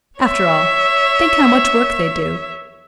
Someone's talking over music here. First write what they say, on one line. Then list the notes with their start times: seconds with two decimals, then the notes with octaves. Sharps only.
After all, think how much work they do.
0.19 C#5 E5